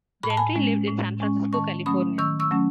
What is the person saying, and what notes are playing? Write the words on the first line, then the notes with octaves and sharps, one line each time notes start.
Gentry lived in San Francisco, California.
A2 B5
A5
G#5 B5
G#3 C#4
A2
G#3 C#4
D#3 A5 C#6
F#3 A3 C#4 B5 D#6
D#3 C#6 E6
C#6 E6
F#3 A3 C#4